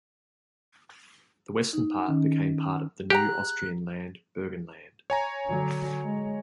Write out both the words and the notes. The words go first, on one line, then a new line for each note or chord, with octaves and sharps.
The western part became part of the new Austrian land Burgenland.
D#4
D#3 C#4
G4 G#4 F#5 A#5 F#6
C#5 G#5 A#5
D3 F#3
G#3